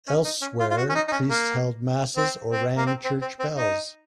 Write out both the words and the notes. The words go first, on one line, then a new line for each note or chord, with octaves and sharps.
Elsewhere, priests held masses or rang church bells.
C#4
D#4
C#4
F4
F4
F#4
C#4
D#4
D#4
C#4
A#3
C4
C4
A#3
C4
C4
C4
C4
D#4